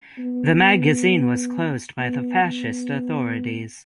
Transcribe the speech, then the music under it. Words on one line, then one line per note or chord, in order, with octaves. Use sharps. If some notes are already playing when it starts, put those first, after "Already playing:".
The magazine was closed by the fascist authorities.
B3
B3
B3